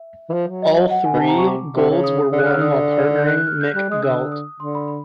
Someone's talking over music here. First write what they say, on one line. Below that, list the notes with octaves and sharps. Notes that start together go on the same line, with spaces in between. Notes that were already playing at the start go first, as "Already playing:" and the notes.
All three golds were won while partnering Mick Gault.
Already playing: E5
E3
F3
F#3
D#5
F#5
G#5
B2
C3 A5
A#5
C#6
D6
C3
C#3
D#6
D#6
D3
F#6
D3
F6
C#3 E6
D3 D#6
G6
F#6
F#6
F6
G6
G3 F#6
G#3 D#6
D3 E6
D#6
D3 C6
B5
B5